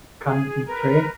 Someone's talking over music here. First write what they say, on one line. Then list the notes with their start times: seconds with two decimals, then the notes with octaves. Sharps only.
Canti tre.
0.24 G#4
0.67 A#4 B4